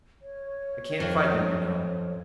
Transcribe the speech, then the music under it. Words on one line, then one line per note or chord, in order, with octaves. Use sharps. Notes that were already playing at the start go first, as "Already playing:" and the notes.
I can't fight you, you know.
C#5
F2